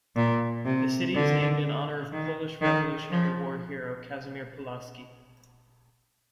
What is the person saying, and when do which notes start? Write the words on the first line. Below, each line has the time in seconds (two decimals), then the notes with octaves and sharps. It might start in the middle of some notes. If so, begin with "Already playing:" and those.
The city is named in honor of Polish Revolutionary War hero Casimir Pulaski.
0.16 A#2
0.65 C3
1.14 D3
2.12 D#3
2.62 D#3
3.11 F3